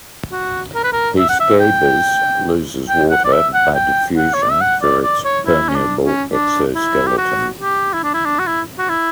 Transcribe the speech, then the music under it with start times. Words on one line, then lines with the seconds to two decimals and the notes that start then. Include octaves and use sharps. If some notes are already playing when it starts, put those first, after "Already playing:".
"P. scabers" loses water by diffusion through its permeable exoskeleton.
0.32 F#4
0.75 A#4
0.84 B4
0.93 A#4
1.19 E5
1.29 F#5
1.40 E5
1.60 G5
2.89 G5
3.10 F#5
3.25 D5
3.33 E5
3.54 F#5
3.75 G5
4.17 F#5
4.34 C#5
4.43 D5
4.52 E5
4.61 F#5
4.82 D5
5.03 D5
5.25 C#5
5.46 E4
5.69 C#4
5.75 D4
6.04 C#4
6.32 D4
6.75 E4
7.07 G4
7.18 F#4
7.61 G4
7.93 E4
8.04 D4
8.14 E4
8.25 D4
8.39 F#4
8.47 E4
8.78 F#4
8.89 E4